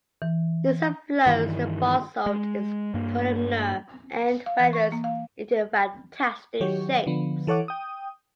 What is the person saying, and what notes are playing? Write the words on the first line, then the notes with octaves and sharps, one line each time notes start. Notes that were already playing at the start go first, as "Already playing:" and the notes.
In some flows the basalt is columnar end weathers into fantastic shapes.
E3
G2 D#3 E3
G#3
G2 A#3
F5
E3
C#6
A#3
F5
D#3 F#3 G4 C#5
D3 F3 B3
E3 A4 C#5 F#5 D6
G5 D#6